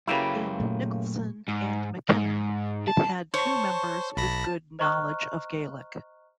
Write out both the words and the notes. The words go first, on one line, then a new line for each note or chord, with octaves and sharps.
In Nicolson and Mackinnon it had two members with good knowledge of Gaelic.
F#2 C#3 A#3 E4 F#4 G4 B4 G5
A#2 A3
G#2
G#2
A5
C5 C#5 A5 C#6
B1 A5 B5 A#6
C5 D#5 A#5 C#6 F6 F#6